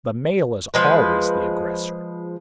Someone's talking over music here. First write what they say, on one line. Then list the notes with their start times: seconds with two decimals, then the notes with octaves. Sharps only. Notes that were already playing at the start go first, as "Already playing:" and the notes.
The male is always the aggressor.
0.74 F3 G#3 B4